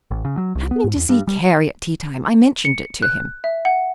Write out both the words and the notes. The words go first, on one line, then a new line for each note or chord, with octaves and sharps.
Happening to see Carey at teatime, I mentioned it to him.
A1
C#3
F#3
C2
B3
G#2
E2
G2
G3
C#7
F#6
E5
F#5